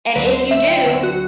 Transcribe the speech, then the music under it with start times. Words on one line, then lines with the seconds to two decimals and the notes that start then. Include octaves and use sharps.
and if you do,
0.16 D2 D3 F#3 B4
0.33 C5
0.51 E5
0.68 G5
0.86 D2 D3 F#3 E5
1.03 F#4